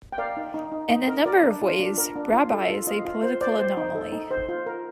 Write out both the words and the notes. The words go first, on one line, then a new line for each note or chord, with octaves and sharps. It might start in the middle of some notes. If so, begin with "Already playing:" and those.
In a number of ways, Rabi is a political anomaly.
G5
A#4 D5 F5
D#4
D#4
D#4
D#4
A#4
A#4 D5
D4
F4
D4
A#4
D4
F4
A4
F4
F4 D#5
F4
C5
C5 D5
C5
D#4
A4
D#4
C5
F4
A#4